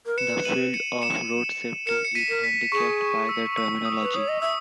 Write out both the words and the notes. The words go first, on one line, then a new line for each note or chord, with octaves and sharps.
The field of Road safety is handicapped by the terminology.
A#4
B4 C#7 E7
D#7 F#7
C#7 E7
C#7 E7
A#4 C#7 E7
C#7
B6 D#7
A#4
B6
G#4 C#6
E6
E6
D#6
B4
C#5 D#6
D#5
E5 E6